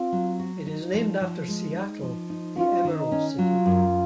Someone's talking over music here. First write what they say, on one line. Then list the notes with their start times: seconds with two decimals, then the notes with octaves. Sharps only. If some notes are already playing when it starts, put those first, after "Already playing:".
It is named after Seattle, the Emerald City.
Already playing: C4 F4
0.12 F#3
0.40 F#4
0.67 D#4
0.94 F3
1.21 F3
1.48 G#3
1.76 D#4
2.02 F3
2.30 D#4
2.57 C#4 F4
2.85 D#3
2.98 D#4
3.12 C#4
3.39 F#3 F4
3.66 F#2